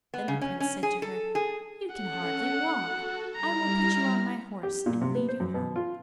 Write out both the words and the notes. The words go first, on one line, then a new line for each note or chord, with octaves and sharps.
Then the Prince said to her, 'You can hardly walk; I will put you on my horse and lead you home.
B3
C#3
C#4
C#4
G#4
A4
G#4
C#4 A4 F#5
F#4 A4
G3 E4 A#5 F6
G4
A#2
C3
B3
C5
F#2
B2
F4